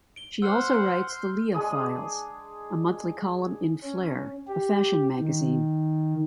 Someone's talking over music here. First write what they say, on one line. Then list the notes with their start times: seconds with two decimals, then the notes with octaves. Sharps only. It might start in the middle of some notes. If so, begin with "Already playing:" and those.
She also writes "The Leah Files", a monthly column in "Flare", a fashion magazine.
0.16 D7 G7
0.42 C5 F#5 E6 F6
1.09 C6 G6
1.54 G#3 D4 G#4 D#6
3.84 C#4
4.47 G4
5.19 D#3